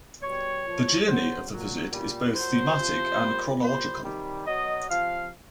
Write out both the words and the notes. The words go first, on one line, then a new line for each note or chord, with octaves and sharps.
The journey of the visit is both thematic and chronological.
B2 G3 C#5
A#2 F3
C#3 F#3 C5
A#2 F#3
A#2 G3
A#2 F#3 C5
C3 F3
A#2 G3
A#2 G3 C5
C3 D#3 G3
B2 F#3 D#5
C3 F3 F5